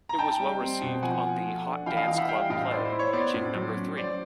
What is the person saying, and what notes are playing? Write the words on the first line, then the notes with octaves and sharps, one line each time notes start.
It was well received on the Hot Dance Club Play, reaching number three.
A#5
D#4 G5 A5
G3
C4
B2
F3 F#5 G#5
F3
A3
D4
E3 F5 G5
D#5 F5
E3 D#5 F5
E5 F#5
G3 F5 G5
A2 D#5 F5
E4 C5 D5
C5
E4
C#5
B3 C5 D5
A2
F#3
C#4
F#3 C5 D5